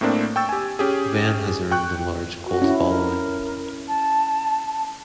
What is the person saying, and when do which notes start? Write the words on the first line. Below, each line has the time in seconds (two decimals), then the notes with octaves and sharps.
The band has earned a large cult following.
0.01 A2 A3 A#3 C4 D4
0.36 G5 C#6 E6 A6
0.49 G4 G#5
0.79 C#4 G4 G#4
1.71 G5 C#6 F#6
2.45 F#4
2.62 C#4 E4
2.86 A#4
3.87 A5